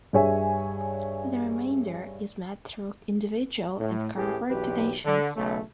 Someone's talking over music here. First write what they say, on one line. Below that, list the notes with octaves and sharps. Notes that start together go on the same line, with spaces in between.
The remainder is met through individual and corporate donations.
G2 G#4 C#5 E5 G#5
A2
A1 A2 E3 G4 G#4
B1 E2 B2 G4 B4
D3
B1 C#3 A3